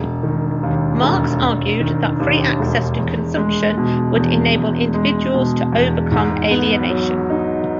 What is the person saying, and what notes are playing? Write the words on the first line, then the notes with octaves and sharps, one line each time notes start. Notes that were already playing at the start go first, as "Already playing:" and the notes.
Marx argued that free access to consumption would enable individuals to overcome alienation.
Already playing: E1
D#3
D#2
E1
E1
D#3
D#2
E1
E2
G#3
B2
E2
E2
G#3
B2
E2
G#2
B3
F#3
D#4